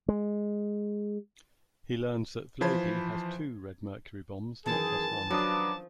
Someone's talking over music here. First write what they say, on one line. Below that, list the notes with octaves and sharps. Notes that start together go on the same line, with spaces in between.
He learns that Vlady has two Red Mercury bombs, not just one.
G#3
E3 F3 C5 A5 B5 G#6
F#2 D#3 E3 G#4 A5
F3 F#3 D4 B4 D6 D#6